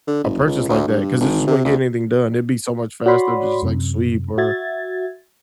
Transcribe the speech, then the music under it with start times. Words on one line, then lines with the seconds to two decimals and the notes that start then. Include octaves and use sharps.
a purchase like that 'cause it just wouldn't get anything done, it'd be so much faster to just, like, sweep or
0.07 D3
0.24 F#1
0.47 C#2
0.69 D2
0.88 G2
1.20 G#1
1.47 C3
1.65 D2
3.06 F#4 C#5 D5 B5 C6
3.63 F#2 C3
4.38 F#4 E5 G#6 A6